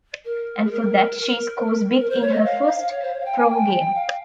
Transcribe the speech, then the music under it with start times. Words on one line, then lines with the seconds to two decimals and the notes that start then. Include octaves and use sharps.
And for that, she scores big in her first pro game.
0.25 A#4
0.64 G#4
0.72 A#4
1.18 A#4
1.99 A#4
2.10 C5
2.21 C#5
2.33 D#5
2.45 F5
2.68 F5
2.79 F5
2.91 C#5
3.02 C5
3.14 C#5
3.20 F5
3.25 G5
3.37 G#5
3.49 G5
3.95 F5